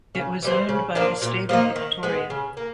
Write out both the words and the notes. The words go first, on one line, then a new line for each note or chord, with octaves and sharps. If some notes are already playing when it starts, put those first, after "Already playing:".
It was owned by the State of Victoria.
C#3
E3 G3 C4
C#3
F3 A#3 D4
A#2
F3 A#3 D#4
D#3
G#3 B3
C#3
A#3